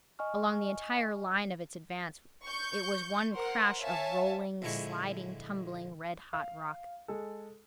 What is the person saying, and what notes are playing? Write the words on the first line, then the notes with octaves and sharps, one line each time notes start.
Along the entire line of its advance it was one crash of rolling, sliding, tumbling red-hot rock.
D#5 G#5 C#6 F6
C#6 G6
A#4 C5 F#5 C6
C#5 E5 F5 G#5 A5
A#1 A#2 D3 G#3 E4 C#6
F5
G#3 A4